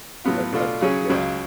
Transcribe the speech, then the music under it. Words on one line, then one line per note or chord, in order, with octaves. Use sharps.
That that's yeah.
A2 F#3 B3 F4
B2 A3 D4 F4
C#3 F#3 C#4 G#4
C#2 C#3 F#3